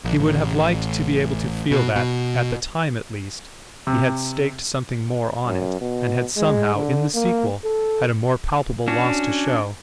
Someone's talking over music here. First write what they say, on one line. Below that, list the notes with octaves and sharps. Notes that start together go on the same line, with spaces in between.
He would have liked to be able to feel that, at the time at least, he had staked something more on it, and had somehow, in the sequel, had a more palpable loss to show.
A#1
A1
B2
B2
C3
F#2
B2
G#3
D3
A#3
A4
C#4 D4 F#4